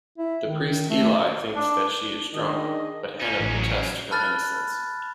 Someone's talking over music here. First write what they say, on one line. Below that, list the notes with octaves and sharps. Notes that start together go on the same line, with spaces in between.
The priest Eli thinks that she is drunk, but Hannah protests her innocence.
E4
D#3
A3
D4
D#3 D4 G#4 D#5
C#4 D#4
A1
C#3 F#3
A5 B5 F6 F#6 A6